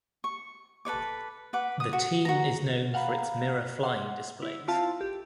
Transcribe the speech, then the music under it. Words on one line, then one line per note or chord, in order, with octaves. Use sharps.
The team is known for its mirror flying displays.
C#6
A4 B4 C#5 D6
B4 F#5 D6
D#6
F#4
F#4 A#5
F5 F#5 A#5 B5
F#5 C6
E4
C4 E4 F4 F5 A5
G4